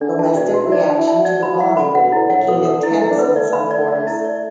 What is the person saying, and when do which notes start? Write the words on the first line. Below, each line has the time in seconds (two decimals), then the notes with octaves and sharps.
Domestic reaction to the bombing became intense in some quarters.
0.01 D3 D4
0.19 E3 A5
0.36 B2 D5
0.54 B2 F#4
0.64 E4
0.72 D4 D5
0.90 A5
0.96 E4
1.07 A5
1.19 F#4
1.25 D5
1.42 F#4 B5
1.53 F#4
1.60 E4 F#5
1.77 D3 B5
1.95 B2 F#5
2.12 D3 E4
2.30 A2 F#5
2.48 B2 A4
2.65 D3 A4
2.83 E3 E4
3.01 A3 E4
3.11 D4
3.18 B3 B4
3.29 B3
3.35 A3 D5
3.53 B5
3.71 D5
3.88 D5
4.07 E4
4.25 D5